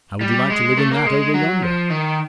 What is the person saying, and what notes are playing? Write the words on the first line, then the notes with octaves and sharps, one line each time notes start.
"How would you like to live in that over yonder?"
G3
G#3
A3
A#3
G#3
F#3
F3
D#3